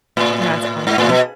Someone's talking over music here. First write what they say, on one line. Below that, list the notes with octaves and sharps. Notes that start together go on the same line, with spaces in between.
That's awesome.
A2
G#2
A2
B2